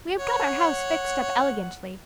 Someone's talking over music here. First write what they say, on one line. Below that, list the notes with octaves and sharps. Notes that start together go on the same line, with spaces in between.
We have got our house fixed up elegantly.
C#5 F#5